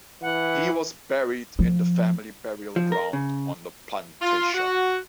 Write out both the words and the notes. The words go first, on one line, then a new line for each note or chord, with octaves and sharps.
He was buried in the family burial ground on the plantation.
E3 F#5
F3
F3
A#4
C#3
F4
F#4